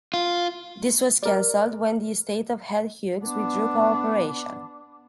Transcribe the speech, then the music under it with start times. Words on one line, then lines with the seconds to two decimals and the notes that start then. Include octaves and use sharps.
This was cancelled when the Estate of Ted Hughes withdrew co-operation.
0.14 F4
1.23 A#4 D5
3.24 B3 D4